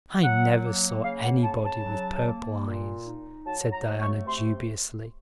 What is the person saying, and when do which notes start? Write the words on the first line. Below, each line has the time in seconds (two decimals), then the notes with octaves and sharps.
"I never saw anybody with purple eyes," said Diana dubiously.
0.22 F#3 F#5
0.63 A#3
1.03 C#3 F5
1.23 F#5
1.43 C#3 A5
1.64 A5
1.84 F#3
2.24 A#3
2.65 A#2
3.05 D#4
3.46 F#3 A5
3.73 A#5
3.86 A3
4.00 C#6
4.26 C3 C6